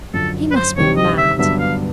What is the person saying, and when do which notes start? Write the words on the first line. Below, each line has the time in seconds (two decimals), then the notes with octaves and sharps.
"He must be mad."
0.14 F#2 D3 F3 A4
0.51 B4
0.56 C5
0.77 D2 C3 D#3 G3 C#5
0.97 D#5
1.18 E5
1.38 G2 D3 F#3 B3 D4 E5
1.59 F5